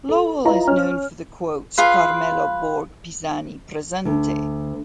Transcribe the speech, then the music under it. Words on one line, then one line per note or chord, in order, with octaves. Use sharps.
Lowell is known for the quotes Carmelo Borg Pisani, presente!
A4
E4 F4 B4 D#5 A#5
C#4 F6
F4 G#4 B4 F5
D2